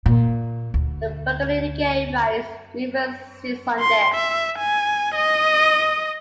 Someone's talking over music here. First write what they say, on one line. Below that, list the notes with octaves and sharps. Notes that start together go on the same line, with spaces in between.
The burgeoning gay rights movement seized on this.
A#2
D2
C6
E5
G#5
D#5 D#6